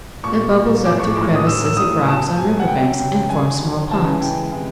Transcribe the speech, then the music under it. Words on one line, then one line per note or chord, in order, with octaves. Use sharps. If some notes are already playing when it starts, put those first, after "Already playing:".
It bubbles up through crevices of rocks on river banks and forms small ponds.
A#2 G3 C#6
A#2 G3
A2 F3 G#3 D6
C#6
A2 F3 G#3 D6
D#6
A2 F#3 E6
E6
A2 F#3 D#6
B2 F#3 A5
B2 F#3 G#5
F#5
C#3 F#3 G5
C#3 F#3 G5
G5
D3 F#3 G#5
D3 F#3
C#3 E3 G#3 A5
G#5
C#3 E3 G#3 G5
C3 E3 G#3